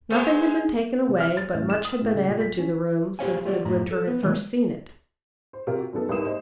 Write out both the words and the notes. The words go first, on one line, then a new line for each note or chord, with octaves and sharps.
Nothing had been taken away, but much had been added to the room, since Midwinter had first seen it.
G#3 B3 G#4 C5
C3
F6
A6
A1
E7
D#6
A2
C#3
A#2
B6
C#4
G4 A4 C5 C#5 F5 G#5
F4 G4 C#5 D5
F#2 A2 A#5
A4
B3
D#3 E3 G#3 A3 B3
C5
C3 F4 A#4
F#4
F#2 D#3 B3 A4
C2 G#2 A#3 B4 D#6 E7
C5 D#5